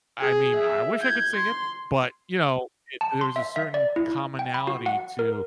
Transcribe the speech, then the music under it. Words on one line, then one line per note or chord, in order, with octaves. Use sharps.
I mean I wish I could sing it, but, you know, it there's a certain commonality to
G#4 G#5
E5
G6 G#6
C6
A5
C6
E5
E5
D5
E4
G5
B5
F#4
F#5
A#4